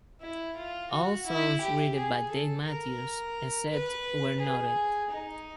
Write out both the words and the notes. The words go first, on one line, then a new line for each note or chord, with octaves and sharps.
All songs written by Dave Matthews except where noted.
E4
F4
F#4
E4
G4
G#4
A4
A#4
B4
G#4
D#4